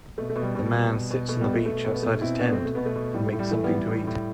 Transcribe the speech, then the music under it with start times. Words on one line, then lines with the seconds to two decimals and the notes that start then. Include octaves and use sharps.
A man sits on the beach outside his tent and makes something to eat.
0.18 B2 A3
0.30 A3
0.36 B2
0.42 G3
0.55 B2
0.73 B2
0.92 B2
1.11 B2
1.28 B2 A3
1.41 G3 B3
1.48 B2
1.53 A3
1.65 B2 A3
1.84 B2
1.94 B3
2.02 B2 A3
2.21 B2 C4 E4
2.39 B2 B3 D4
2.52 A3 C4
2.59 B2
2.65 A3
2.75 B2 B3
2.86 A3
2.95 B2
3.14 A2 G3
3.27 A3
3.33 A2
3.39 G3
3.51 E3 A3
3.63 G3 B3
3.69 E3
3.76 G3
3.88 A2
4.07 A2